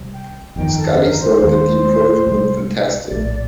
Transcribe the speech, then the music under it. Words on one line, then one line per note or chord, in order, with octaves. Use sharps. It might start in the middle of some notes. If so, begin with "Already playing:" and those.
Scully thought that the implosion looked "fantastic".
Already playing: C2 C3 G3
G5
G1 F2 D#3 G5
A4
A#4
C5
D#2 D#3 A#3
C2 C3 G3
A#1 A2 A3 D5
D5